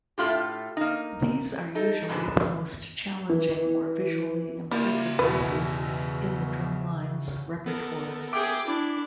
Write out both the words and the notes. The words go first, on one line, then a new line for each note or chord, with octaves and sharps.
These are usually the most challenging or visually impressive pieces in the drumline's repertoire.
A2 A3 B3 F4 G4
A#3 D#4
D#4 A4
F2 G#2 B2 D3
E3
C#3 G3 A#3 E4 F4 E5 G#5
E2 B2 E4 F#4 B4
B3 A4 A#4
G#4 E5 G5 D6
D4 E4